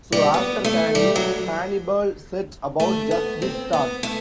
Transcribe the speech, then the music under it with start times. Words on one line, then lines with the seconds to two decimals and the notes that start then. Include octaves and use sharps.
So after Cannae, Hannibal set about just this task.
0.12 G3
0.34 B3
0.64 A3
0.95 G3
1.16 F#3
2.80 A3
3.11 B3
3.42 C4
3.73 B3
4.03 A3